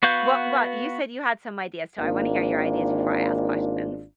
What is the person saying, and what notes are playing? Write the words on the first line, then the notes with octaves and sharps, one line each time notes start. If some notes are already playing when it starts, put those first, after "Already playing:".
well well, you said you had some ideas, so, I wanna hear your ideas before I ask questions.
B3 F#4 B4 F5 G6
G#1 A#3 D4 D#4 F4